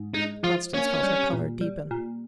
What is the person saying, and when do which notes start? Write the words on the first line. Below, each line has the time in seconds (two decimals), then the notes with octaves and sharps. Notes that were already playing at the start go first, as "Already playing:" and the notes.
Constance felt her colour deepen.
Already playing: G#2
0.14 G#3 D#4
0.43 F3 F4
0.73 A#3 C#4
1.03 G3
1.33 A#2
1.61 G3
1.91 A#2